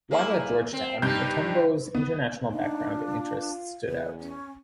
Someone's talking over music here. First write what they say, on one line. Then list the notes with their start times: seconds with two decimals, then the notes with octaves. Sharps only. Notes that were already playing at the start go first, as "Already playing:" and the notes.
While at Georgetown, Mutombo's international background and interests stood out.
0.11 A#3 E4 G#4
0.73 C4
1.02 G2 G3 D#4 G6
1.95 B3
2.51 D4 D#4
2.97 F4
3.88 E2 B4
4.20 C#4